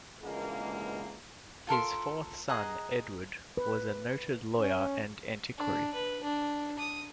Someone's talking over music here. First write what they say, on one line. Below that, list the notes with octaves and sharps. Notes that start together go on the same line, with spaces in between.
His fourth son, Edward was a noted lawyer and antiquary.
C#2 B2 D3 E3 G#3 A#3
F4 A4 A#4 C6
G#4 D#5 F#5 A#5
B4
C#4
D4
B4
D4
D#6